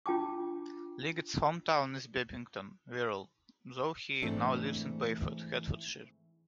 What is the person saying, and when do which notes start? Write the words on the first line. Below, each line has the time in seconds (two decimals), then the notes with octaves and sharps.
Liggett's home town is Bebington, Wirral, though he now lives in Bayford, Hertfordshire.
0.06 D4 F4 G5 A5 D6
4.22 G#2 E3 A3 C4 D4